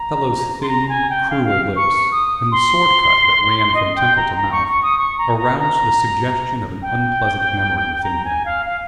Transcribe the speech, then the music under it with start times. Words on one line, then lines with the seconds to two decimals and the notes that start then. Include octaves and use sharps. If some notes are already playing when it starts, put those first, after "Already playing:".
The fellow's thin, cruel lips, and the sword-cut that ran from temple to mouth aroused the suggestion of an unpleasant memory within him.
Already playing: A#5
0.62 C6
0.69 A#5
0.89 G#5
1.10 G5
1.30 F5
1.45 F5
1.76 C#6
2.12 D#6
2.52 C6
3.74 D#5
3.96 G5
4.16 A#5
4.36 A#5
4.52 C#6
4.67 C#6
4.82 D#6
4.98 C#6
5.18 A#5
5.38 A#5
5.59 A#5
6.82 G5
8.04 A#5
8.24 G#5
8.45 F5
8.66 F5